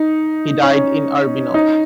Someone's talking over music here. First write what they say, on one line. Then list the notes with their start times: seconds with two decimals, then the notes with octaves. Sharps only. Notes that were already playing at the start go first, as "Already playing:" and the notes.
He died in Urbino.
Already playing: D#4
0.63 C#4
1.54 D#4